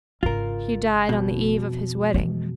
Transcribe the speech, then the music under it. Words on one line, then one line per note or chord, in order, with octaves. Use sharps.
He died on the eve of his wedding.
G#1 C#3 F4 A#4
F2 B2
E3 G#3